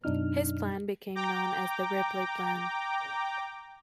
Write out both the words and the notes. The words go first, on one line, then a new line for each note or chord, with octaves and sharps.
His plan became known as the "Ripley Plan".
F#2 B2 D4 D#4 F6
G5 A#5 D6